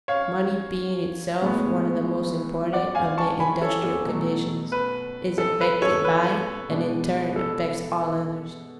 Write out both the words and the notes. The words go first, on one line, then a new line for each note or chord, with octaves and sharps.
Money being itself one of the most important of the industrial conditions, is affected by and in turn affects all others.
C#5 F5
A2 G#3 B3
D5 F#5
F5 G#5
A5 C#6
G#5 B5
A4 C#5
A4
B2 F#3 A3
B4
A4
B4
A4 C#5
B4
B2 G#3 D4
A4